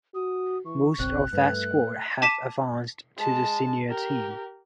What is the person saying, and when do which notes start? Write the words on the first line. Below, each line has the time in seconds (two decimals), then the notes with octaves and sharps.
Most of that squad have advanced to the Senior Team.
0.15 F#4 D#6
0.65 E3 C#6
0.99 F#1 B1 C4 F#6
1.33 G2 A3 B4
2.22 A5 D6 B6 D#7 E7
3.18 G#3 A5
3.90 G4 A#4